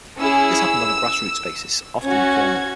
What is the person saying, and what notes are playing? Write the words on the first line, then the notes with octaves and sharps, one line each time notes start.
This happened on a grassroots basis, often informally.
C#4 E4 G#4 E6
C#4 F#4 G#6